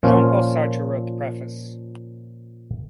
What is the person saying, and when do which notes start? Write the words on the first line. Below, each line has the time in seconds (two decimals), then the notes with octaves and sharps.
Jean-Paul Sartre wrote the preface.
0.03 A#2 F3 C#4 F4